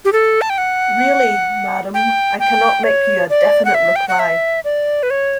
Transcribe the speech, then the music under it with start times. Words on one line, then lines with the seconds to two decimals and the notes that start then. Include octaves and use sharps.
Really, madam, I cannot make you a definite reply.
0.05 G4
0.13 A4
0.41 A5
0.50 G5
0.58 F#5
1.94 G5
2.40 G5
2.84 C#5
3.30 D5
3.65 F#5
3.74 E5
3.96 G5
4.08 F#5
4.19 E5
4.65 D5
5.03 B4
5.10 C#5